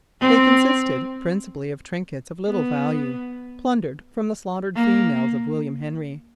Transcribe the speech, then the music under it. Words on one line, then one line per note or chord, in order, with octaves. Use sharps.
They consisted principally of trinkets of little value, plundered from the slaughtered females of William Henry.
C4
B3
A#3